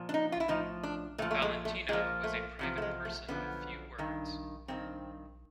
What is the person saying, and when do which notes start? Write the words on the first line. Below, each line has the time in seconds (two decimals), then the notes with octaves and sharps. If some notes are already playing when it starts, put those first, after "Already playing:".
Valentino was a private person of few words.
Already playing: A#2 F3
0.09 D4
0.14 D#4
0.32 F4
0.40 E4
0.48 A2 F3 D#4
0.83 D4
1.18 A#2 A3
1.22 F3
1.31 A3
1.42 G#3
1.65 A3
1.89 A#2 F3 G#3
2.24 A3
2.59 E2 C3 F3
2.78 A3
2.82 G#3
3.05 A3
3.28 F#2 D3 F3 B3
3.98 G2 D#3
4.68 G2 D#3 C4